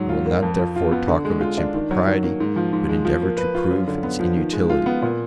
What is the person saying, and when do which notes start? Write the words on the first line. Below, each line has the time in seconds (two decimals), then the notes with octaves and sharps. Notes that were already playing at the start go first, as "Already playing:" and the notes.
I will not, therefore, talk of its impropriety, but endeavour to prove its inutility.
Already playing: G#2 F#3
0.09 F4
0.26 A#3
0.42 F2
0.59 F3
0.76 F4
0.92 B3
1.08 D3
1.25 G#3
1.41 F4
1.57 D4
1.74 D#3
1.91 F#3
2.07 D#3
2.23 A#3
2.40 G#2
2.56 F3
2.72 G#2
2.89 G#3
3.05 F3
3.22 A#3
3.37 B4
3.55 F4
3.71 F#2
3.88 D3
4.03 B3
4.20 F3
4.36 D#3
4.53 G#3
4.70 F4
4.86 B3
5.02 A#2